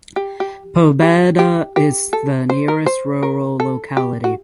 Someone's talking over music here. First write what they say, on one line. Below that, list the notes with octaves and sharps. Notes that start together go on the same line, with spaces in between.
Pobeda is the nearest rural locality.
G4
G4
G4
G4
G4
A4
C5
A#4
C5
A#4
A4
G4
F#4